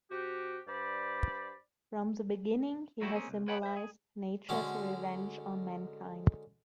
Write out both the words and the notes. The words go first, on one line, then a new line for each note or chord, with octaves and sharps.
From the beginning he has symbolized nature's revenge on mankind.
C3 F#4 G4
G2 C5 D5 B5
F#3 A3 D#4 E4 F#4 G4
A#3 C4 C#4 G#4
C2
B4 C#5 F#5 G5 A5 B5
C5 E5
G#4
D3 F#3 G#3 C#4